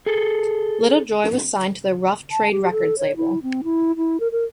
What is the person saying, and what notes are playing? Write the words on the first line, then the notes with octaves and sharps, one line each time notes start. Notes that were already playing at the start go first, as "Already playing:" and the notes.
Little Joy was signed to Rough Trade Records label.
G#4 A4
A5
G4
A4
C#5
E4
C4
E4
E4
A#4
A#4